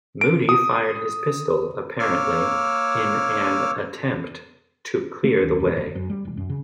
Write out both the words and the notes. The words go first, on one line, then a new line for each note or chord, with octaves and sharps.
Moodie fired his pistol, apparently in an attempt to clear the way.
D7
D#6
A#3 C#5 D6 E6 F6
A3
D#2
E1
F1
F#2
G3
E1
F#2
C#3